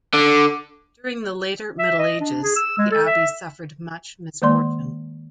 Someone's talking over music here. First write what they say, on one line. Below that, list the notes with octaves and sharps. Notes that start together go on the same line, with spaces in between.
During the later Middle Ages, the abbey suffered much misfortune.
D3
E5
D#5
D4
G#4
E6
G#3
A4
E5
D#3 G#3 A#3 D5 C6